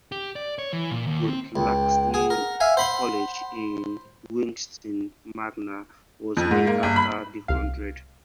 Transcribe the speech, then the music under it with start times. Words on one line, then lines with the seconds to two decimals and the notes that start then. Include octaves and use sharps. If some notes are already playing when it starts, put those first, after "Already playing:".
Guthlaxton College in Wigston Magna was named after the hundred.
0.12 G4
0.36 D5
0.59 C#5
0.73 E3
0.91 A#2
1.07 D#2
1.28 C4
1.56 C#2 G5
2.14 G#4 F#5
2.30 A#4
2.60 E5 F5 G#5
2.77 C5 B5 C6
6.37 F2
6.51 G#2
6.67 A#3
6.83 G1
6.96 B5
7.48 C2 F5